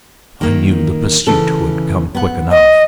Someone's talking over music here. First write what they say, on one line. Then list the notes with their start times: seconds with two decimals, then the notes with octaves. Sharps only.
I knew the pursuit would come quick enough.
0.41 D#3 A#3
1.27 C#3 E3 A4
2.15 B3 F#5
2.51 D#5